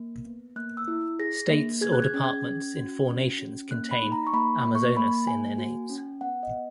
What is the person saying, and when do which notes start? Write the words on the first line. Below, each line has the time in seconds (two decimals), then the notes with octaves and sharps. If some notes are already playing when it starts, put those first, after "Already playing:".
States or departments in four nations contain "Amazonas" in their names.
Already playing: A#3
0.25 B3
0.56 A#3 F#6
0.77 E6
0.88 E4
1.19 G#4 A#6
1.50 A#3
1.81 G#4 G#6
1.93 F#6
2.02 G#6
2.14 C#4
2.24 G#6
2.44 C#4
2.76 F#4
3.07 C#4
3.39 C#4
3.71 A#3 F#6
3.91 B5
4.02 D#4
4.12 A#5
4.27 C#6
4.33 A#3 B5
4.65 A#3
4.75 C#6
4.95 A#3 B5
5.27 A#3 G#5
5.58 F#4
5.90 C#4
6.21 B3 F#5
6.43 D#5
6.53 B3